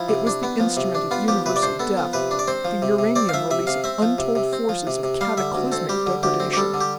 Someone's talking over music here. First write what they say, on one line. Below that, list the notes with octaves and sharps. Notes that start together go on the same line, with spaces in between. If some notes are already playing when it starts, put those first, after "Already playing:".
It was the instrument of universal death--the uranium release of untold forces of cataclysmic depredation.
Already playing: F3 E4
C3
D4
B3
F3
C3
D4
B3 F4
F3 G4
C3 B4
D5
D4 C5
B3 A4
F3
C3 B4
D4
D5
C4 C5
F3
C3
C3
C4 D5
F5
F3 E5
C3 E5
C3 F5
C4 E5
F3
C3
C3
C4
F3
C3
C3
G3 F5
D3 E5
D2
C4 A4
G3 G4
D3
D2 G4
C4
G4
G3 A4
D3
G4